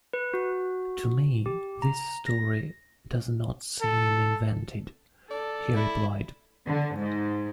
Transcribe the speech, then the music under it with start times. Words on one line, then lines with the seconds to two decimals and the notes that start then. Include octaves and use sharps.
"To me this story does not seem invented," he replied.
0.13 B4
0.34 F#4
1.46 G4
1.82 A#5
2.26 A#6
3.82 A4
5.31 A4 D5
5.74 E4
6.67 D3
6.99 G#2